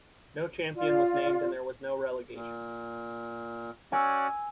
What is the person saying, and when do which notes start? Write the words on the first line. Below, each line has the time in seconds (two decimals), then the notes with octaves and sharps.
No champion was named and there was no relegation.
0.76 F4 D5
2.35 A#2
3.92 C#4 F#4 D5 G#5 E6